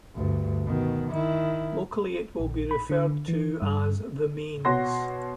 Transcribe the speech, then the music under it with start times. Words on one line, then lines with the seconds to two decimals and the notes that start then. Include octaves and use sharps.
Locally, it will be referred to as "the mains".
0.15 D2 G2
0.66 B2 D#3
1.11 D#3 E4
2.40 A#1
2.71 B5
2.90 D3
3.28 E3
3.62 G2
4.65 B2 F#4 C#5 C6 A#6